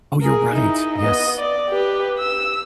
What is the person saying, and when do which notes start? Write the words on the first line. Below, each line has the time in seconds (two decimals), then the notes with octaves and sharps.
Oh, you're right, yes,
0.22 G#4 A#4
0.53 D#4 E4
0.98 B3 D#5
1.39 D5
1.70 G4 B4
2.19 E6